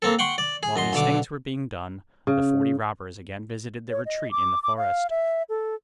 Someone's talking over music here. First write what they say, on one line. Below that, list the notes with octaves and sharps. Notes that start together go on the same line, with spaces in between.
While these things were being done, the forty robbers again visited their retreat in the forest.
A#3 C4 A4
F#5 G5 C6 C#6
D5
G#4
F#2 D#5 C6
B1 D3 D6
C#3
C#5
D#5
D6
D6
F5
E5
A4